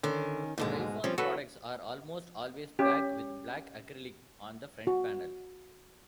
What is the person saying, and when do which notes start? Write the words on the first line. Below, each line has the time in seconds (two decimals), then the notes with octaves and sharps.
Gryphon products are almost always black, with black acrylic on the front panel.
0.03 D3 D#3 C#4
0.58 D#2 G#2 B2 D3 G#3 A5
1.04 F3 G3 C4 C#4
1.18 F#3 F#4 A4 B4
2.79 C#4 G4
4.87 F#4